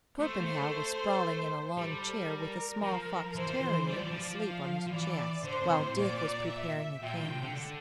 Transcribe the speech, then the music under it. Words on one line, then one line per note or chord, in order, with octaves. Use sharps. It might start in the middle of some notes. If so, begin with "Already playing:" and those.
Torpenhow was sprawling in a long chair with a small fox-terrier asleep on his chest, while Dick was preparing a canvas.
A3 C5
A#3
A3
G3 A4
A#4
F3
E3 C5
F3
E3
G3 D5
F3
E3
F3
F5
F3
E3 D5
D3 C5
C3
A2
A#2 D5
E5
A#2 G5
A#2
D3
C3
D3
D3